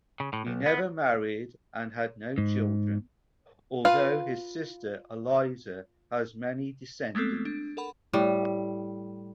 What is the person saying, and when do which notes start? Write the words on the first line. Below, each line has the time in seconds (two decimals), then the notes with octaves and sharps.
He never married and had no children, although his sister Eliza has many descendants.
0.20 C#3
0.33 A2
0.46 B1
0.66 B3
2.38 G#2
3.85 F4 B4 F5
7.15 G#3 A3 B3 C4 A4
7.45 D4
7.77 A4 A#4 F#5 B5
8.13 A2 G3